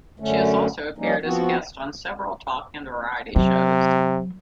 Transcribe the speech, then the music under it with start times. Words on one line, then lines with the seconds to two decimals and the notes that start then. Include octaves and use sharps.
She has also appeared as a guest on several talk and variety shows.
0.20 F#2 D3 A3 C#4
0.98 F3 G3 A#3 C#4 D#4
1.23 F3 B3 C4 F#4
3.36 C3 F#3